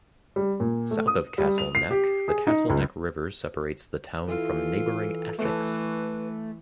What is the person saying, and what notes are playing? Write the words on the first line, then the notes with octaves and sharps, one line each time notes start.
South of Castle Neck, the Castle Neck River separates the town from neighboring Essex.
G3
A#2
A3
D#6
G3
F7
C7
G4
G#4
D#4
C#2
E3 F4 A4
E3 A3 B4